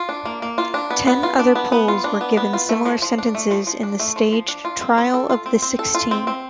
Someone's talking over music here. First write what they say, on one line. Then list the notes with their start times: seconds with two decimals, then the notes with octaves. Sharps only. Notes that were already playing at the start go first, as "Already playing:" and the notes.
Ten other Poles were given similar sentences in the staged Trial of the Sixteen.
Already playing: F4
0.09 D4
0.25 A#3
0.42 A#3
0.58 F4
0.74 D4
0.90 B3
1.07 B3
1.23 F4
1.39 D4
1.55 B3
1.72 B3
1.88 F4
2.04 D4
2.21 B3
2.37 B3
2.53 F4
2.69 A3
2.85 F3
3.02 F3
3.18 D4
3.35 A3
3.51 F3
3.67 F3
3.83 D4
4.00 A3
4.16 F3
4.32 F3
4.48 D4
4.65 F4
4.81 C4
4.98 C4
5.14 A4
5.30 F4
5.46 C4
5.62 C4
5.79 A4
5.95 F4
6.11 C4
6.27 C4